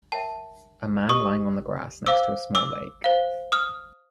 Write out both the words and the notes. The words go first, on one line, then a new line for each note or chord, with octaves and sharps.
A man lying on the grass next to a small lake.
A#4 C#5 E5 G5 A5
G4 B4 D#5 C#6 D#6
C5 F5 D6 E6
D6 E6
C5 F5
D#6 F6